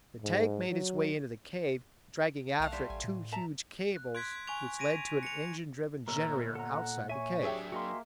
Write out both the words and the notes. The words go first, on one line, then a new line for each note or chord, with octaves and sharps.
The tank made its way into the cave, dragging after it two huge cables which led to an engine-driven generator outside the cave.
G#2
F#3
B1 A3 F5 F#5
G3 G4 C5 E5
A1 G#5
A2
E5 A5 A#5
F#6
C6 F#6 G#6 B6 D7 F7
G#5 C#6 G#6 F7
A#6 D7 D#7
C#7 F7
G1 A#2 A#4 A#5 E6 F6
A4 F#5 A#5
C#5 E5 G#5 C#6 D#7
F#3 D4 G4 G#4 E5 G5
A#3 F#4 D#5 C6